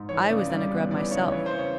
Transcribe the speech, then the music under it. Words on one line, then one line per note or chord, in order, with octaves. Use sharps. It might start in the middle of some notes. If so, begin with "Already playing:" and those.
I was then a Grub myself.
Already playing: G#2
E3 C#5
C#3 D5
G3 D5
B3
E3 D5
C#3 C#5
E3 C#5
C5
C#3
C#5